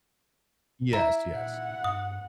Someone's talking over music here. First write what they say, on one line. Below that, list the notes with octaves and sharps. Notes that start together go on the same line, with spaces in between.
Yes, yes.
E4 E5 A#5
A#2 F#5
G2 D#6